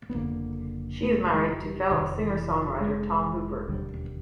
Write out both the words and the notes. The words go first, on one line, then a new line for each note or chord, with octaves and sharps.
She is married to fellow singer-songwriter Tom Hooper.
B3
F#1 F2 D3 A#3
A3
A3
G#3
F#3
G3
F1 F2 C3 D#3
E3
F3
G#3
E1 D#2 D3 G3